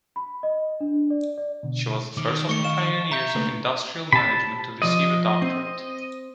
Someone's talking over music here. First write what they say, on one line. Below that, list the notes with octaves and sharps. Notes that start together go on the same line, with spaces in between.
She was the first of the pioneers of industrial management to receive a doctorate.
B5
D#5
D4
D5
D5
B2 D3
D#3 D6
A3 C#6 C#7
D#5 F5 E7
E5 A#5 G6
C#3 A3 A#3 D4 B4
C3 A5 B5
F3 D5 D#5
C4